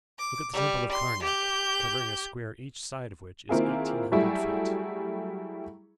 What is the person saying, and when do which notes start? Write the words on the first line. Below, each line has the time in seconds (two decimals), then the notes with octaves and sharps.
Look at the Temple of Karnac, covering a square each side of which is eighteen hundred feet.
0.18 D6
0.52 G3
0.91 C6
1.23 G4 G6
3.49 D#3 A#3 C4 E4 F4 G#4
4.12 F#3 G3 A3 E4 G#4